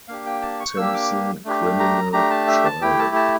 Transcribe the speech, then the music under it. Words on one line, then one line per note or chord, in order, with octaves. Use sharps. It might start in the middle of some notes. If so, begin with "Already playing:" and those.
Simpson criminal trial.
A#3 D4 G4 F5
G5
A5
C#6
A#3 D4 G4 E6
D6
A3 D4 G4
A#5
A3 D4 G4 A#5
A5
E5
A5
A3 E4 G4 G5
A5
A5